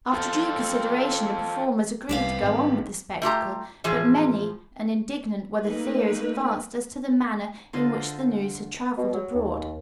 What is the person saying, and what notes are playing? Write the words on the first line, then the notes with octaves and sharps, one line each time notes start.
After due consideration the performers agreed to go on with the spectacle, but many and indignant were the theories advanced as to the manner in which the news had traveled abroad.
F4 A4 C5
C2 G3 B3 F5
G#1
A3 F4 G4 A#5
A2 E3 F3 F4 G#4
A3 A#3 D#4 B4
D3 F4 C5 D#5
B2
F#3
D#2